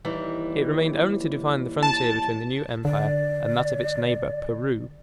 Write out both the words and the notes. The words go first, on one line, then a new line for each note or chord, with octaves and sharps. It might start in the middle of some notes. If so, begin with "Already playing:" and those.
It remained only to define the frontier between the new empire and that of its neighbor, Peru.
D#2 E3 G3
A5
D3 D5